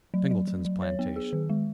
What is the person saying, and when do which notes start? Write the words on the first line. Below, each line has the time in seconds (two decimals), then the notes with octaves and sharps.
Singleton's plantation.
0.14 F#3
0.31 F#3
0.48 F#3
0.65 F#3
0.82 C#5
0.99 B3
1.16 G#4
1.33 D#3
1.50 G#3